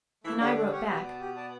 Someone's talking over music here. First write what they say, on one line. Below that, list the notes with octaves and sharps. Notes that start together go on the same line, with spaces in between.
And I wrote back.
E3 A3 E4
D3 C#4 D4 G4 C#5 F#5
A3
C#4 G4 C#5 F#5
B2 B3 G4
D5 A5
G4
D5 A5